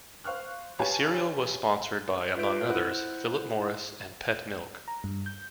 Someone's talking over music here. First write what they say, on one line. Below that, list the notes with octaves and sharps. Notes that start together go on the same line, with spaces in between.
The serial was sponsored by, among others, Philip Morris and Pet Milk.
C5 F5 C#6 F6 F#6
G4 B4 C#5 F5 G#5 A5
F4 B4 E5 G6 D7
E4 C5 F#5 F#6 G6
A#5
G2
G6